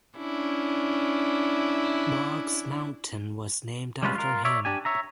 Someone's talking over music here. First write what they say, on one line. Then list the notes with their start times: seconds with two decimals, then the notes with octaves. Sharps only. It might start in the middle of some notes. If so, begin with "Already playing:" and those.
Boggs Mountain was named after him.
0.18 C#4 D4 E4
4.03 G3 G#3 C#4 F4 B4
4.15 F4 A#4
4.45 C#5 D5 E5
4.65 D4 G4 G#5
4.85 C#5 E5 A#5